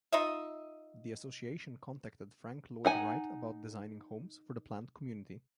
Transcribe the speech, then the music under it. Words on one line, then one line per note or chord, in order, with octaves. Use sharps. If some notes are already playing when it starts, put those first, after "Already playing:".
The association contacted Frank Lloyd Wright about designing homes for the planned community.
D#4 F4 D#5 E5
D#4 F#5 G#5